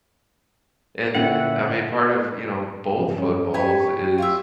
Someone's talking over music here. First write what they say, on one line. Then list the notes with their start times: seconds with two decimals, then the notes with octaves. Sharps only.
And, eh I mean, part of, you know, both footballs, is
1.15 A#2 D3 C#4 E4 E5 F#5 G5
2.97 G#2 F3
3.16 G2 C#4
3.54 G4 C#5 G5 G#5 B5
3.80 C#6
4.18 F4 D5 E5